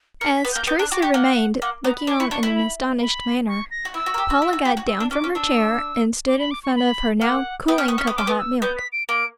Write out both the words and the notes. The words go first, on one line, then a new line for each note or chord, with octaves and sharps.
As Teresa remained, looking on in an astonished manner, Paula got down from her chair and stood in front of her now cooling cup of hot milk.
A#4 C#7
B6
B3
A#3 G6
B3 G6
D4 F#6
F#4 D6
G4 C#6
A#3 F#5
A#3 F#5
B3 A#5
B5
D4 D6
E4 C#6
D4 C#6
E4 B5
B5
B5
C#6
A#6
F#4
E4 E6
F#4
A#4
G4
F#4
E4
F#4
G4
F#4
E6
D4
C#4 D6
C#4
D4 E6
D6
B5
D6
C#6
B5
A#3 F#5
B3 G5
C#4
B3 C#6
C#4
B3
C#4 D6
B3
E6
B3 G6
B6
D7
A#3 D7